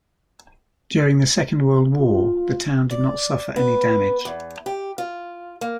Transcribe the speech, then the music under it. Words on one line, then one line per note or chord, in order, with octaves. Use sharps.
During the Second World War, the town did not suffer any damage.
F4
D5
B3
E2
G4
F4
A#3